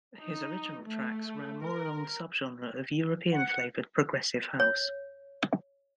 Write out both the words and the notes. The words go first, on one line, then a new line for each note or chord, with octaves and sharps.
His original tracks ran more along the subgenre of European-flavoured progressive house.
D#4
A3
A#4
F#5
C#5